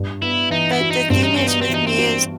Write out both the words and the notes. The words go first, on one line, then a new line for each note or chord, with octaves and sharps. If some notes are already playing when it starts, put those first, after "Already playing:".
But the thing is with me is
Already playing: G2
B3 E4
E3 D#4
E4
F#4
D#4
G2 C4
D#4
B3 C4
D#4
C4
E3
D#4
C4
F#4